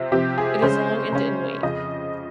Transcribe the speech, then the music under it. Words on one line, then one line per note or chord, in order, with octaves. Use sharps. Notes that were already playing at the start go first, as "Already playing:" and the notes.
It is long and in weight.
Already playing: C3 F3 C4
C3 F3 C4 G4
G#4
C#3 G#3 C#4 C5
C#3 G#3 C#4
F2 C#3 F3 D#5